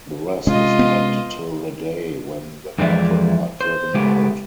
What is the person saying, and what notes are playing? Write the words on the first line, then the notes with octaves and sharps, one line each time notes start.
The rest is kept till the day when the cattle are driven out.
C3 G#3 C#4 F4 D#5
B3
F2 E3 G#3 D4 D5 E5
C5
C#3 G#3 A3 B3 E4 G4